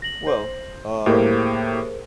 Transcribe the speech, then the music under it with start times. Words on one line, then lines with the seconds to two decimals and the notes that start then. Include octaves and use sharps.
Well, um,
0.02 A#6 F#7
0.27 C5
1.06 A2 A#3 G4 G#4 A#4 C5